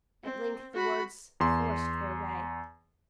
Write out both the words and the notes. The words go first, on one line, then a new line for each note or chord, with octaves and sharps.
At length the words forced their way.
C4
F#4 B5
E2 C6